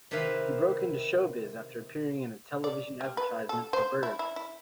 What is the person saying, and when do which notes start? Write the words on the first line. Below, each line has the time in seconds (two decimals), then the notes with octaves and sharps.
He broke into showbiz after appearing in a television advertisement for Burger King.
0.11 C3 D#3 E4 B4 F5
2.64 D5
3.01 G3
3.17 B4
3.49 A4
3.73 C5
4.03 E4
4.19 E4
4.36 E4